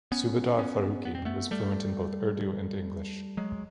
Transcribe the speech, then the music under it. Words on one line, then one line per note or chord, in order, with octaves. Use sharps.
Subedar Farooqi was fluent in both Urdu and English.
B3 C#4
B3 C#4
B3
C4
A3 B3
G3 A3
F#3 G#3